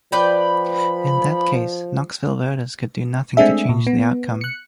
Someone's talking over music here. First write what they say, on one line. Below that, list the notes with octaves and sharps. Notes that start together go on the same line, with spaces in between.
In that case, Knoxville voters could do nothing to change the outcome.
F3 B4 D5 G5 B5
G#3 A3 C4 D4 G#4 E5
A#2
B3
F#6 C#7